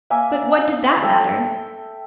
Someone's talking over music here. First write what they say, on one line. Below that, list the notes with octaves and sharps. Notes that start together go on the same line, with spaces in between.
But what did that matter?
A#3 E5 G#5
A4 E5 G5